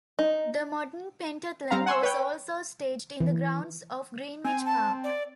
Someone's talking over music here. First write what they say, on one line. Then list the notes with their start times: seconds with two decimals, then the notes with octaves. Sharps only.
The modern pentathlon was also staged in the grounds of Greenwich Park.
0.19 D#4
1.70 G3 C4 F5 A#5
1.86 F#5 G#5 C6 C#6 E6
2.03 B4 C#5 G5
3.20 E3
4.44 C4 G#5
4.65 A5
5.04 D5